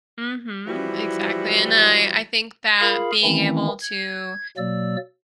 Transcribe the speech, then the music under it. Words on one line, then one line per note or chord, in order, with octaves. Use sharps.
mhm, exactly. And I I think that being able to
E3 F3 G3 E4 F#4
F4 G#4 A#4 F5 B5
D#3 E3 A3 C4 C#4 E4
G#6
B2 F#3 A#3 D5 E6